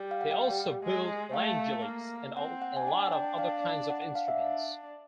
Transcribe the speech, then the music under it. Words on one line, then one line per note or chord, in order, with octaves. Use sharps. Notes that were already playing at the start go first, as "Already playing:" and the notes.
They also build langeleiks and a lot of other kinds of instruments.
Already playing: G3
F5
F#5
G5
G#3
A3 F5
A#3
C4 F#5
F#5
G#5
D4 G5
G5
F5
F#5
F#5
F5
E5
D4